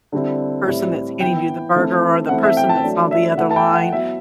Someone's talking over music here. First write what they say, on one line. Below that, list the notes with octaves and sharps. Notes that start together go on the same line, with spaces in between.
person that's handing you the burger or the person that's on the other line,
D3 G3 C4 E4
A2 G3 C4 E4
E3 B3 E4 G5
E3 A3 C4
E3 A3 C4 E4 F#5
E5
G5
A5
F#3 A3 D4
E5
E3 A3 E4 F#5
A5
G5
F#5
F#3 B3 E4 E5